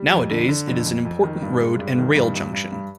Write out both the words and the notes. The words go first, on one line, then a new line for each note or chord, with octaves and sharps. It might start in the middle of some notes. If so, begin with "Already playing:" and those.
Nowadays it is an important road and rail junction.
Already playing: G3
F2
D3
D3
F2
F2
F2
D#3
G2
G#3
G2
D#3
G2
G2
G2
G2